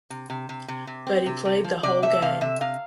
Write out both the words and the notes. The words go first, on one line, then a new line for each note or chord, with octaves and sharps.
But, he played the whole game.
C3
C3
C3
C3
C3
C4
C3
C3
F3
C3 D5
A3 E5
C3 F5
C3 E5
C3 F5